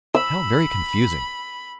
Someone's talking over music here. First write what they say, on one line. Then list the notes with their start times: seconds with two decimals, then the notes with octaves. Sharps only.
How very confusing!
0.15 B5 E6